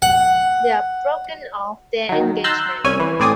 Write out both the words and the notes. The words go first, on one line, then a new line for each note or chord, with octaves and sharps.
They've broken off their engagement.
F#5
D#3 F#3
A#5 C6 E6 F#6 G6 A6
C2 C#4 G#5
E3
A2 C4 D5 G#5 D#6